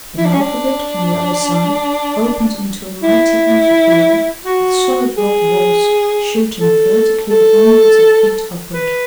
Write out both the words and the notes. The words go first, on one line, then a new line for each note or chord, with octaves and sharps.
The mouth of it on the other side opened into a mighty amphitheatre with solid rock walls shooting vertically hundreds of feet upward.
E4
D4
C#4
D4
E4
F#4
G#4
A4
A4
B4